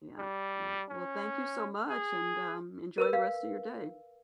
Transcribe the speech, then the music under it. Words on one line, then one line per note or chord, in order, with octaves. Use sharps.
Yep, yep, well, thank you so much, and, um, enjoy the rest of your day.
G3
C#4
G#4
A#4 B4 E6
F5